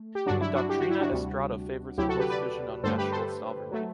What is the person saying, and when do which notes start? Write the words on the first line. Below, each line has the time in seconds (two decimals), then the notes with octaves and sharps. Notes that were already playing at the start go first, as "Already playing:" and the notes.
The Doctrina Estrada favors a close vision on national sovereignty.
Already playing: A3
0.15 G4
0.26 G2 D3 F#3 D4 F#4
0.41 E4
0.55 D4 F#4
0.69 G4
0.80 F#4
0.90 E4
1.01 D4 F#4
1.12 D2 C3 G3
1.98 D2 C3 F#3 E4 G4
2.09 F#4 A4
2.19 G4 B4
2.30 B4 D5
2.84 G2 D3 A3 A4 C5
2.98 G4 B4
3.12 A4 C5
3.71 F#3 A3